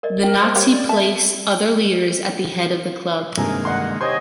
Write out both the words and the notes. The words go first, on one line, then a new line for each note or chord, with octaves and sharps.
The Nazi place other leaders at the head of the club.
A#4 D5 D#5
A#4 G5
C5 D#5 C6
A#3 G4 C#5 F5
D5
E5 A5
G2 C3 D#3 G#3 A#3 A4 A#4 G#5
G1 D#5 F#5 C6
G4 C5 C#5 D#5 G#5 C6